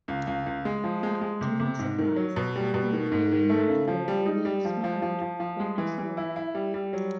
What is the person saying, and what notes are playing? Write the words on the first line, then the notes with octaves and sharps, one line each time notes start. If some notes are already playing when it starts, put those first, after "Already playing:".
But, to my surprise, far from appearing wrathful, the smiled when they saw us!
C#2
C#2
C#2
G#3
F3
G#3
G#3
C3
C3
G#2
D#3
F#3
B2
G3
B2
D#3
G#2
D#3
A3
C#3
F3
G3
D#4
G3
F3
F3
F3
F3
F3
G#3
E3
E3
E4
E4
G3
G3
F#3